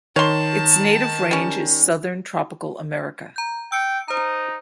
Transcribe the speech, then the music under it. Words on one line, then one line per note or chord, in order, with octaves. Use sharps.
Its native range is southern Tropical America.
D#3 C#5 A5 C6
G3 C#4
A#5 G6
G5 E6 C#7
D#4 C5 A#5